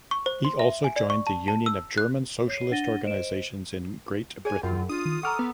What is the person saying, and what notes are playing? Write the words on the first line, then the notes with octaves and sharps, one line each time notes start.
He also joined the Union of German Socialist Organisations in Great Britain.
C#6
C5
C6
E5
G#5
D5
C#6
A5
A5
E6
F#6
C#5 C7 D#7
D4 F#5 A6 A#6 D#7 G7
C5 D#5 D7 E7
G#4 C#5 G#5
F#2 C#4 F4
D4 F4 D#6
D#3
A4 F#5 G#5 A#5 C#6 D6 F6
B3